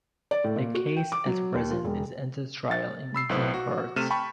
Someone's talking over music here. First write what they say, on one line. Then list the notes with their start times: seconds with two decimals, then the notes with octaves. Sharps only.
The case at present is under trial in Indian courts.
0.31 D5
0.44 A2
0.56 A#2
0.75 F#4
0.96 G5
1.12 D6
1.26 F#3
1.55 D#2
1.71 F4
1.85 E1
2.71 A6
3.14 B5 E6 C7
3.29 B1 A2 B3 B4 C5
3.54 F#4
3.96 C3 A3 F6 D#7 E7
4.10 G5 A5 B5 C#6